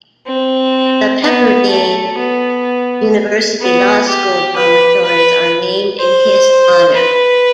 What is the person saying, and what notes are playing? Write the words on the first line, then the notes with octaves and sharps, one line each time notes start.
The Pepperdine University Law School dormitories are named in his honor.
C4
B3
A3
B3
B3
G4
B4
B4
C5
B4